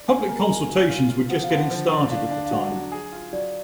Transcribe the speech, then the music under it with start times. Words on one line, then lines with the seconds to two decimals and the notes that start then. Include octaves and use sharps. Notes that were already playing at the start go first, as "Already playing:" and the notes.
Public consultations were just getting started at the time.
Already playing: D5
0.08 A#3 G#5
0.29 A#4
0.39 A#5
0.49 F4 G#5
0.69 F#3
0.89 F4
1.10 F4
1.29 F3 F#5
1.43 F5
1.50 D3
1.56 F#5
1.70 F3
1.91 D3
2.11 D4 F5
2.31 D4
2.45 F5
2.51 F#3 F#5
2.72 F#3
2.92 G#4
3.12 F4
3.33 F#3 D5